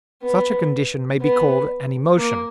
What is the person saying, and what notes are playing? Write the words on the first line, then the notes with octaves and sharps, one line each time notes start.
Such a condition may be called an emotion.
B3
B3
A#3